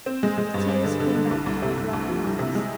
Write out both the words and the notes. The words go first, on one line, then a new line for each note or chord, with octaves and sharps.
The tears came back to her brown eyes.
C4
G#3
G#3
G2
G2
D3
D3
D3
C2
C2
C3
C2
C2
F3
C2
C3
G#3